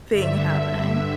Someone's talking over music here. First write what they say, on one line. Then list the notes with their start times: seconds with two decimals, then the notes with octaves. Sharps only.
thing happening.
0.12 G2 D3 E5